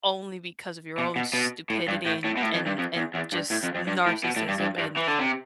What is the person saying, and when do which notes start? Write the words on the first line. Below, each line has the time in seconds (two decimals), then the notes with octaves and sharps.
only because of your own stupidity and and and just narcissism and
0.98 B2
1.16 B2
1.33 B2
1.70 A2
1.88 G2
2.06 A2
2.25 A2
2.37 B2
2.43 A2
2.55 F2
2.66 G2
2.79 F2
2.97 E2
3.15 E2
3.33 G2
3.51 A2
3.63 F2
3.75 F2
3.87 G2
4.06 A2
4.24 B2
4.36 A2
4.48 G2
4.60 G2
4.78 G2
4.96 E3
5.07 D3
5.19 C3